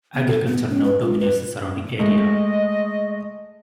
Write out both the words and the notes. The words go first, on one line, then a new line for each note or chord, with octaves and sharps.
Agriculture now dominates the surrounding area.
B3
A4
B3
C#4
B4
F4
B4
G#3 A3 D#5